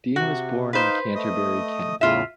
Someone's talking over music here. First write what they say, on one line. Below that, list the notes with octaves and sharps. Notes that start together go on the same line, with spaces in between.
Dean was born in Canterbury, Kent.
C3 F#4
D#4 B4 C5 F5
A3 D#5 D#6
E2 A2 C#3 F4 E5